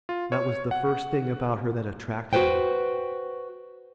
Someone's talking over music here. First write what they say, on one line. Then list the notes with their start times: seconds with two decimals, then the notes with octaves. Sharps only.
That was the first thing about her that attracted me.
0.09 F4
0.32 C#5
0.71 F#5
2.33 F#4 G4 B4 C5 G5